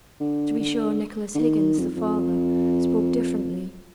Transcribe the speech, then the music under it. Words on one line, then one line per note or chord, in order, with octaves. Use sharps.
To be sure, Nicholas Higgins, the father, spoke differently.
D3
D3
D3
D#3
F2
F2